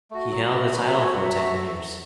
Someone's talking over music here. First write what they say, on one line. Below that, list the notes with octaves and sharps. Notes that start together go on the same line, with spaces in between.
He held the title for ten years.
A3 F#4
F#3
A3 F#4 B4
F#3 B4
E5
A3 F#4
C#5
F#3 F#5
E5
A3 F#4 E5
E5